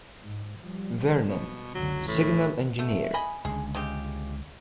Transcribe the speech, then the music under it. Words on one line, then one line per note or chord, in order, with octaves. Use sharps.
Vernon, Signal Engineer.
G#2
F3 G3
B2
F#1 C#2 D3 F#3
A2 E3
A3
D#5 G#5 B5
C#2 D3 G#4
C#3 G#3 G4